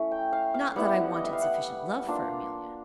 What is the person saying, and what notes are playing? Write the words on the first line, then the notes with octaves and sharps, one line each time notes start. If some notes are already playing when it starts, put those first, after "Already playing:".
Not that I wanted sufficient love for Amelia.
Already playing: A3 C#4 E4
G5
F5
F5
G3 B3 E4 F#5
D#5
E5
F5
F#5
A#3 D4 F4